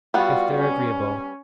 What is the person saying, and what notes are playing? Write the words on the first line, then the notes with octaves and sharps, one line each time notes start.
"If they're agreeable."
G3 B3 F4 F#4 F#5
C#4